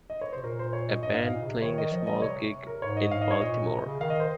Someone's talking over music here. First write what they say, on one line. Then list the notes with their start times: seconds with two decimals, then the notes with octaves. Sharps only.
A band playing a small gig in Baltimore.
0.10 D#5
0.21 C#5
0.33 C3 C5
0.43 A#2 A#4
0.59 C5
0.73 C#5
0.88 D#5
1.03 G2 D#5
1.15 G#2 F5
1.27 D#5
1.33 A#2
1.42 C#3
1.48 C3
1.62 D#3 C#5
1.78 D#5
1.92 F3 D#5
2.07 G3 D#5
2.22 C3 C#5
2.67 A#4
2.82 G#2 C#5
2.97 D#5
3.11 G#2 F5
3.22 D#5
3.31 C#5
3.41 A#2 D#5
3.71 C3
3.86 C#3
4.00 D#3 F5
4.10 D#5
4.20 C5